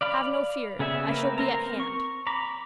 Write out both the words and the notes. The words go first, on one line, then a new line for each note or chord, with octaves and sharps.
Have no fear; I shall be at hand.'
D5 F5 B5
C#3 B3 G#4 E5 G#5
A#3 C4 A#4 B4
C4 A#4 A#5
C#6
A#5 B5 D6